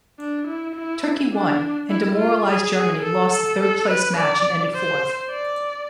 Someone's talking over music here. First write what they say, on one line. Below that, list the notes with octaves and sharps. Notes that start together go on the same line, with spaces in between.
Turkey won, and demoralized Germany lost the third-place match and ended fourth.
D4
E4
E4
D4
E4
F4
G#4
G#4
A4
A4
A4
B4
D5
C5
D5